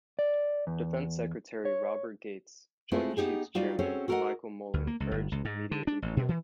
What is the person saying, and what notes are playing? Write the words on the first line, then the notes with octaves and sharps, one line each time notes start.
Defense Secretary Robert Gates, Joint Chiefs Chairman Michael Mullen urged immediate repeal.
D5
E2
C#5
G#3 A3 C4 E4 F4
B3 D#4 G4 G#4
G3 D#4 F4 F#4 D5
C4 C#4 F#4 G#4 A4 C#5
F#4 A4 A#4 C5 D#5 F#5
D2
A#3
C#2
G1
C#2
G#2
D3
D4
A1
B2
E3